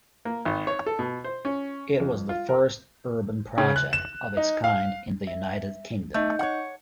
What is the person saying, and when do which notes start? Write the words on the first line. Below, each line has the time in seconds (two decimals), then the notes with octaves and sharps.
It was the first urban project of its kind in the United Kingdom.
0.25 A#3
0.45 G#1
0.67 C#5
0.86 A4
0.99 B2
1.24 C5
1.45 C#4
2.00 F2
2.29 F4
2.49 A#4
3.58 C#3
3.76 F#6
3.93 E7
4.37 D#4
4.64 F5
5.27 E5
6.14 A3 D#4 D#5 G6
6.39 C#5 F#5